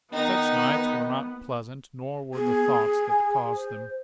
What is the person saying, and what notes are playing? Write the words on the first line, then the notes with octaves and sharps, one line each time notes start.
Such nights were not pleasant, nor were the thoughts that caused them.
D#3 B3 D#4
B3 G#4
G#5
C5